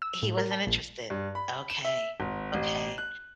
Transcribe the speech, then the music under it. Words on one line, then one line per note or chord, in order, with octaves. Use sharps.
He wasn't interested. Okay. Okay.
E6
A2
A#4
A5
A#1
G2
B5
E7
E5
G#1
A1
F#6